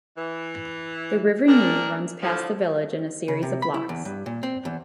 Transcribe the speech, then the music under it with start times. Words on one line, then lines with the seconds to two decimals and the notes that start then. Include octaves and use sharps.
The River Nene runs past the village in a series of locks.
0.16 E3
1.46 A#2 D#3 D4 A#4
2.21 A2 D3 F3
3.28 C#3
3.43 C3
3.62 B5
3.74 E4
3.89 E2
4.05 G2
4.26 A#2
4.43 C4
4.65 E2